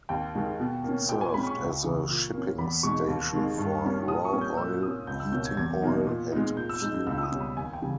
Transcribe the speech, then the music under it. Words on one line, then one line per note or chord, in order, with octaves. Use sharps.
It served as a shipping station for raw oil, heating oil, and fuel.
D#2 G5
D#3 G#3 D#4
B2
A#3 C#4
A#2 G5
G#5
G#3 C#4 B5
C#6
C#2
C#3 E3
A#2
A#3 C#4
E2 B5
B2 G#3 D#4 C#6
D#2
D#3 G#3
G2
G3 A#3 C#4
A#2 D#6
C#6
G3 A#3 C#4
G6
A#2 E6
A#3 C#4 D#6
C#2 G6
E6
B2 A#3 C#4 G6
G#6
E2 G#6
B2 A#3 D#4
A#2
G#3 B3 D#4
A#2 G6
E6
G#3 D#4 G6
G6
C#2 E6
E6
D#6
B2 G3 C#4
B5
D#2 G#5
G5
C#3 E3 G3